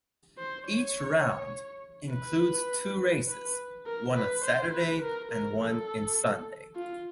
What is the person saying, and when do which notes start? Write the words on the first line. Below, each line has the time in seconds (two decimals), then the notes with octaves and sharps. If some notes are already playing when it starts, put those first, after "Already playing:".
Each round includes two races one on Saturday and one in Sunday.
0.38 C5
0.68 C#5
2.13 B4
3.29 B4
3.86 A#4
4.16 B4
4.44 C5
4.73 B4
5.02 A#4
5.31 A#4
5.60 A4
6.76 F4